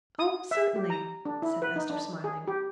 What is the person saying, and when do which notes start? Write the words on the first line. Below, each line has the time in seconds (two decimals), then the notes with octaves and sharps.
"Oh, certainly," said Esther, smiling.
0.19 D#6
0.51 E5
0.76 G4
0.90 A#5
1.25 D4
1.42 E4
1.62 B4
1.76 D#4
1.90 D4
2.24 G#4
2.48 G4